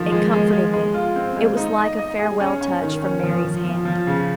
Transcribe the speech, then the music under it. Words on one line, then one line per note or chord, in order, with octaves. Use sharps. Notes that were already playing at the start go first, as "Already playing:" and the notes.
It comforted me--it was like a farewell touch from Mary's hand.
Already playing: D#3 F3
G#3
G#3
G#3
G#3
F4
C4
G#3
D#4
D#5
D#5
G#4
C#4
C#4
D#3
C#4
F3
F3
F3
F3
C#3